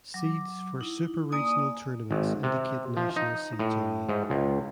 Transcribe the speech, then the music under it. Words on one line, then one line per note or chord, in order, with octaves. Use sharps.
Seeds for super regional tournaments indicate national seeds only.
F#3 D6
D#4 E4
A#3 D5 G#5 D#6
G#1
C3
F3
D#4
A2
G#2
C#2